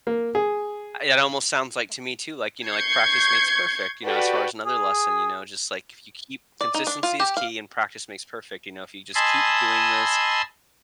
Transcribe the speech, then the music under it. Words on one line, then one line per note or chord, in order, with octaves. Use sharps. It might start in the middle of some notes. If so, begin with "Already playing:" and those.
I it almost sounds like to me too, like, you know, like, "practice makes perfect," you know, as far as another lesson, you know, just like if you keep consistency is key and practice makes perfect, you know, if you just keep doing this,
A#3
G#4
C#6 G6 G#6 C7 C#7
F#4 G4 A4 B4 D5 G5
G#4
D5
D#4
D4
F4
G4
F5
D#5 G#5 A5 B5 C6 E6